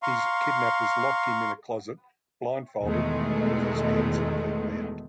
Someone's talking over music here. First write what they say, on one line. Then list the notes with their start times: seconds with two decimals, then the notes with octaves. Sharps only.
His kidnappers locked him in a closet, blindfolded with his hands and feet bound.
0.03 F5 A#5 C6 C#6
2.82 E2 B2 D#3 G#3 A3